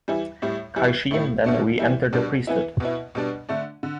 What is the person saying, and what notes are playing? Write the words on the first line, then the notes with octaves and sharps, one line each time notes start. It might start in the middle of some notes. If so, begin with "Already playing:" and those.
Kaishin then reentered the priesthood.
E3 G3 E4
A2 G3 E4
E3 G3 E4
A2 A3 E4
B2 A3 D4
E3 G3 E4
B2 G3 D4
E3 B3 E4
B2 B3 E4
B2 G3 B3 D4
D3 A3 D4
D3